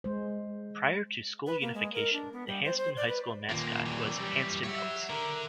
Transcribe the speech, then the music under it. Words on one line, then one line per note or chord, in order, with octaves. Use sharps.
Prior to school unification, the Hanston High School mascot was Hanston Elks.
G#3 C5
B4
A#3
G#3
A#4
D4
B3
G3
C5
C5
D5
B4
D#2 A#2 D3 A#3
E3 F#3 A3 G4 D5
G3
C#5 E5 F#5
D3 A#4